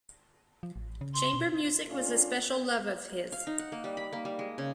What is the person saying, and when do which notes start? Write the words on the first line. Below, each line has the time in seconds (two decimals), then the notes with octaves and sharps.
Chamber music was a special love of his.
0.63 F3
0.76 A1
1.01 C#3
1.14 C6
1.34 B2
1.88 A3 C#4 D4 F4
3.32 F5
3.47 D#4
3.59 F#5
3.72 A#3
3.84 G3
3.97 B5
4.13 A#3
4.25 G3
4.39 G#3
4.58 C#3